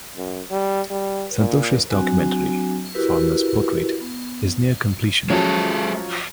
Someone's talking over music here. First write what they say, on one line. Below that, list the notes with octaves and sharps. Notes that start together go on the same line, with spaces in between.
Santosh's documentary "Farmers Portrait" is near completion.
F#2
G3
G3
A#2
F#3 C4 D4 F#4 G#5
E4 F#4 G4 A#4 B4
B3
F3 F#3 G#3 C#4 A4